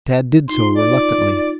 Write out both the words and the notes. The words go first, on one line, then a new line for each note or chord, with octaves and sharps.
Tad did so reluctantly.
D#4 F4 C6
D5